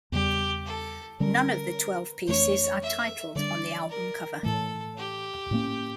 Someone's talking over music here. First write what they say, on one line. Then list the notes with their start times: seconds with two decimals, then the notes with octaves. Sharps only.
None of the twelve pieces are titled on the album cover.
0.12 E2 C#3 G3 G4
0.66 A4
1.20 D3 G3 C#4 A#4
2.27 F2 E3 A3 D4 C#5
2.82 E5
3.35 D3 G3 D4 D5
3.89 A#4
4.43 A2 E3 A3 A4
4.97 G4
5.51 A2 G3 A#3 C#4